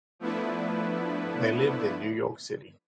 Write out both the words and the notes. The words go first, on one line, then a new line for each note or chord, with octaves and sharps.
They lived in New York City.
F3 A3 B3 D4 E4 B4